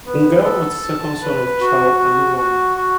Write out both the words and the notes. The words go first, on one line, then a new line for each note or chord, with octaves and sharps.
Ngao was the second son of Chao Anouvong.
B3
A4
A5
B4
F#4
F#4
F#4
F#4